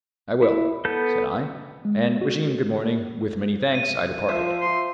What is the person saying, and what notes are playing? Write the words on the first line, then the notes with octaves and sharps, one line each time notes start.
"I will," said I, and wishing him good morning, with many thanks, I departed.
E4
B3 A4 G6
G#3
F#4
D#7
F3 C5 E5
C6